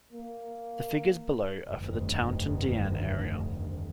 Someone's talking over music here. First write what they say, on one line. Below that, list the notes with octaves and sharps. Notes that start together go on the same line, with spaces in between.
The figures below are for the Taunton Deane area.
A#3
F1 D2 G2 D#3